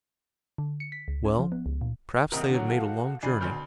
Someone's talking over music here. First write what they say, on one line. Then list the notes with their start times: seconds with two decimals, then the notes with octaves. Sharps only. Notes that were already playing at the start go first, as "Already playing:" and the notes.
Well, perhaps they have made a long journey.
0.58 D3
0.80 C#7
0.92 B6
1.08 C#2
1.25 C#4
1.39 F3
1.52 B3
1.66 C#2
1.81 A#2
2.32 A#1 D#2 C3 A#4 D#5 F#5 D#6
2.49 D3 F#3
2.69 F#4 A4 F5
3.23 D2 D4 G#5 B5 C7
3.41 G#1 D2 B2 F6 G6